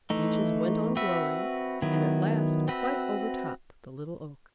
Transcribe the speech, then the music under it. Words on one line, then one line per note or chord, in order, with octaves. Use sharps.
The Beeches went on growing, and at last quite overtopped the Little Oak.
E3 A3 D#4
C4 F#4 B4 E5
D#3 F#3 B3 E4
C4 F#4 B4 E5